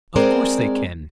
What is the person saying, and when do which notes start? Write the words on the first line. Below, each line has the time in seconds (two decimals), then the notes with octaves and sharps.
Of course they can.
0.16 G#3 C4 G#4 A#4 C5 D5